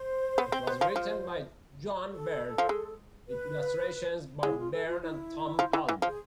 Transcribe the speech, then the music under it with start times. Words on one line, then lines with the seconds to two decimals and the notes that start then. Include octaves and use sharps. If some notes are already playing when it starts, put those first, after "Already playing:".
It was written by John Byrne, with illustrations by Byrne and Tom Palmer.
Already playing: C5
0.38 B3
0.52 C4
0.67 B3
0.81 F3
0.96 F3
2.11 A4
2.58 F3
2.69 G#3
3.27 B4
4.43 G#3 E4
4.58 F4
4.72 A4
4.87 F4
5.01 E4
5.59 F3
5.73 E3
5.89 E3
6.02 F3
6.07 G#4